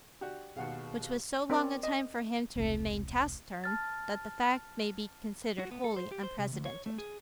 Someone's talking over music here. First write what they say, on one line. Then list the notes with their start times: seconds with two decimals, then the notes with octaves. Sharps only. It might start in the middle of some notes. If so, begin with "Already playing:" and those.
Which was so long a time for him to remain taciturn, that the fact may be considered wholly unprecedented.
0.21 D4 F#4 G4
0.57 D#2 B2 G#3 G#4 F5 F#5
1.50 C4 A#4 D5
1.83 D#5
2.55 E1 C2
3.64 A5 F6 A6
5.59 F#4
5.71 B3
5.84 A4
5.96 C5
6.12 G4
6.23 C5
6.38 C3
6.53 D2
6.66 C#5
6.86 A3
6.98 G#4